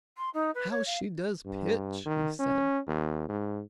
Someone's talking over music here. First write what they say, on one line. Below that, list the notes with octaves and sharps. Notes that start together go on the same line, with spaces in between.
"How she does pitch!" he said.
C6
D#4
B4
C#5
F5
G2
D#3
C#4
D#2
G#2